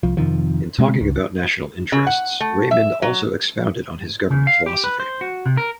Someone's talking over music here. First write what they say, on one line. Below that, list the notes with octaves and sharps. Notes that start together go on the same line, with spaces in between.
In talking about National Interests, Raymond also expounded on his government philosophy.
C2 F3
F2 C3 D#3 F3
B2 G#3 C4
C#2
C#3
F#5
A3
E5
F#3
C#3
F5
G4
B4
C5
F#4
C3
A#4